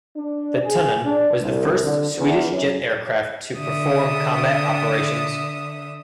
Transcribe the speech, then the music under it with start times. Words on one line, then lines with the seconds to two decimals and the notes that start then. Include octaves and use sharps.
The Tunnan was the first Swedish jet aircraft to perform combat operations.
0.16 D4
0.64 G#4
1.05 D4
1.41 C2
1.83 D3
2.17 E2
2.51 F#2
3.58 D3 E5 D#6